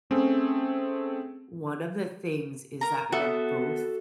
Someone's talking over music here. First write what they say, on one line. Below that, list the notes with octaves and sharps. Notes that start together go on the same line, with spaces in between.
one of the things is that we're both
A3 C4 C#4 G#4
A#4 A#5
B3 F#4 A4 E5